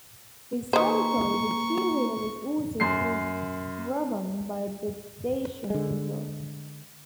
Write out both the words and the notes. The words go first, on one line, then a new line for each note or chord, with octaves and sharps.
Historically, the Jiu River was also called Rhabon by the Dacian people.
D#3 A#3 B4 C5 A#5 C#6
F#2 C6 C7
D3 G#3